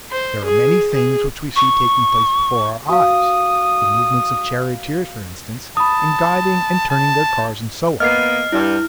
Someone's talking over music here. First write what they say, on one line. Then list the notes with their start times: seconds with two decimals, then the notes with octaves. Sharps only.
There are many things which we see taking place before our eyes--the movements of charioteers, for instance, in guiding and turning their cars, and so on.
0.12 C5
0.46 G#4
0.93 G#4
1.56 C#6
2.89 F#4 F5 D#6
5.77 A5 B5 D#6
6.90 A5
8.00 A#3 B3 D#5 F6 C7
8.52 G2 E4